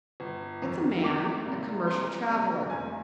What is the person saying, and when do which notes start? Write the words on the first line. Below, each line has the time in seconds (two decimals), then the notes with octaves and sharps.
It's a man--a commercial traveler.
0.20 G1
0.62 F2 D#3
1.04 C2 D6
1.45 C3 G3 A#3
1.87 C2 C6
2.29 C3 G3 A#3 A#5
2.70 F1 G#5